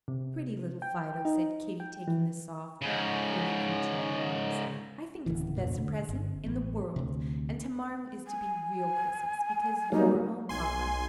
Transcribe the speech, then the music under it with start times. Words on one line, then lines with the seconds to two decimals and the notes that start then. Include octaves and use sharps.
"Pretty little Fido," said Kitty, taking the soft, curly creature in her arms; "I think it's the best present in the world, and to-morrow is to be real Christmas, because you are home, papa."
0.08 C3
0.82 G5
1.25 D#4
1.80 G5
2.07 E3
2.82 G#2 C#3
5.26 D1 C#3 E3
5.56 G1 E2 A#2 A#3
5.73 B2 D3 F3 A3
6.09 G1
6.44 A1 B3
6.96 D2 C3
8.27 G#5
9.92 F#3 G3 A#3 D#4
10.49 B1 G#5 C6